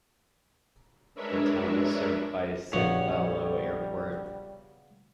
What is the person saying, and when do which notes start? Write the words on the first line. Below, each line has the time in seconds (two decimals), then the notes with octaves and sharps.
The town is served by Sambailo Airport.
1.15 G#3 D4 A#4 B4 C#5 E5
2.73 A#1 C#3 G3 B3 F#4 C#5